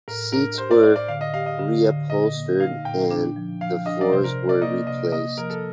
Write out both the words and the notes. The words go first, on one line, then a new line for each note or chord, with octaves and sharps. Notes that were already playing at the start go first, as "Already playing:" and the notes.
Seats were reupholstered, and the floors were replaced.
A2 A#4
D4 A#4
G4 C5
D5
A2 D5
D5
D3 F5
D#5
G4 F5
D#5
D3
D3
A#2 D#5
A#3
D#4 F5
A#2 G5
D4
F3
F3 F5
D4 D#5
D5
C3 C5
A#4
C3
D5
A#3 D#5
C3 D#5
A#3 D#5
F3 A#4
A4